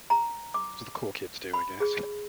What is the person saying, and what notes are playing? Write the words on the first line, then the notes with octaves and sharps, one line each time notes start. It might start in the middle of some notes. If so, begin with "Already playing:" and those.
it's what the cool kids do, I guess
A#5
D6
B5
G#4